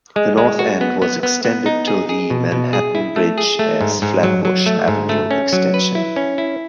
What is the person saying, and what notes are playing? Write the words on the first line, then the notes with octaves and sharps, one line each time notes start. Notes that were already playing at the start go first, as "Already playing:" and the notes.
The north end was extended to the Manhattan Bridge as Flatbush Avenue Extension.
G#3
G#3
F#4
B3
B3
B3
B3
D#4
G#4
G#4
B2
B2
G#4
E4
A3
G#4
A3
G#2
G#2
F#3
F#3
A3
G#2
A3
C#4
F#3
B4
E4
C#4
E4